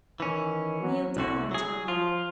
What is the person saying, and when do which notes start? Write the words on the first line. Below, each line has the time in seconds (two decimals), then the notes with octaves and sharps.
Kneel down, I tell you.
0.20 D#3 E3 C#4
0.80 F#3
1.17 C2 D3 E4 F#4
1.51 F#3 G#4
1.88 F3 F4